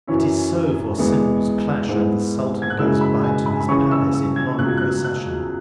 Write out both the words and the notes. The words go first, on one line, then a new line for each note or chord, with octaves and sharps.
It is so, for cymbals clash, and the Sultan goes by to his palace in long procession.
F#2 E3 C#4 E4
E2 E3 G#3 B3
G#2 G#3 B3 E4
G#6
F#6
F#2 C#3 G#3 E4 E6
B5
G#5
B5
G#5
B5
C#3 E3 C#4 C#6
E6
E6
G#6
C#2 B2 F#3 F#6
G#6
F#6
F#6